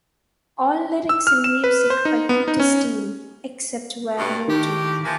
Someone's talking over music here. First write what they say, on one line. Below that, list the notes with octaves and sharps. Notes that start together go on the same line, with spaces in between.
All lyrics and music by Peter Steele, except where noted.
E6
F6
E7
B4
C5
D#4
B3
D#4
C#4
G2 B2
A2 D#3 G4
E3 F3 A#3